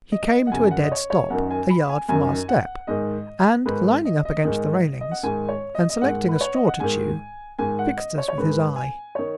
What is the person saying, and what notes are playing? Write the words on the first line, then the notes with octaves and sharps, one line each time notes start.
He came to a dead stop, a yard from our step, and, leaning up against the railings, and selecting a straw to chew, fixed us with his eye.
D#5
F#5
F#2 C#3 G#5
F#5
D#5
C#5
C#5
F#2 D#3 F#5
G#5
B5
G#5
F#2 D#3 G#5
F#5
G#2 D#3 D#5
G#2 D#3 B4
D#5
D#5
G#2 D#3
D#5
F#5
G#2 D#3 G#5
C#5
D#5
D#5
G#2 D#3 F#5
B4
C#5
D#5
F#5
G#2 D#3 G#5
G#2 D#3 G#5
F#5
D#5
C#5
C#5
G#2 D#3 B4
G#5
D#3 C#5